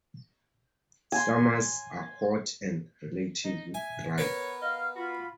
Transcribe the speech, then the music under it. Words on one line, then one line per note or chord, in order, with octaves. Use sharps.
Summers are hot and relatively dry.
G#5 C6
D#4
E5 G#5
B3 A#4 B4 C#5
D#5 F5 F6
F4 F#4 B5